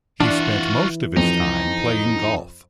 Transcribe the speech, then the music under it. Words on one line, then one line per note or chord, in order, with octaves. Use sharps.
He spent most of his time playing golf.
E3 D4 F4 F#4
F2 D#4